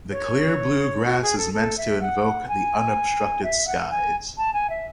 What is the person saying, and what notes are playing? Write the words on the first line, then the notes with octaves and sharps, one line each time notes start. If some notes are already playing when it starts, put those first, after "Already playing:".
The clear blue glass is meant to invoke the unobstructed skies.
C#5
F#4
G#4
A4
A4
E5
F#5
G#5
E5
F#5
G#5
A5
G#5
E5